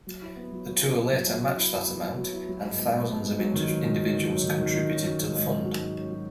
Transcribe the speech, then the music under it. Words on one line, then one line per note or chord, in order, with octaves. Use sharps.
The Tour later matched that amount, and thousands of individuals contributed to the fund.
F#3
E4
B3
F#3
F#3
B3
E4
F#3
F#3
E4
E4
E4
B3
F#3
F#3
E4
F#3
G#2
B3
B3
G#2
G#2
F#3
D#3
F#3
G#2
F#3
D#3
F#3
D#3
D#3
D#3
C#4
F#3
G#2
G#2
F#3
F#4
G#2
C#4
F#3